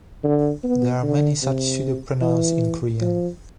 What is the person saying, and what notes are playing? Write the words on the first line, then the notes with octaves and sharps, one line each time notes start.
There are many such pseudo-pronouns in Korean.
D3
B3
D3
C3
E3
F3